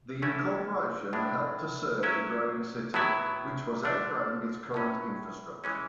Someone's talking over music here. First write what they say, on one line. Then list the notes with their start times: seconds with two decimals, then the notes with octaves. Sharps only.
The incorporation helped to serve the growing city, which was outgrowing its current infrastructure.
0.22 E3 A3 C#4 E4
1.13 A2 G#3 D4
2.03 F#3 C#4 E4
2.94 A2 F#3 B3 E4
3.83 D3 A3 D4
4.74 A2 F#3 C#4
5.64 E3 G#3 C#4